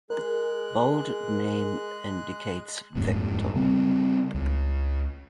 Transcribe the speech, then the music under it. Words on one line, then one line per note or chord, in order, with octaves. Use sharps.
Bold name indicates victor.
G#3 G#4 A#4 F#6
D#1 F2 G#2
C#3 G3 C4
C#2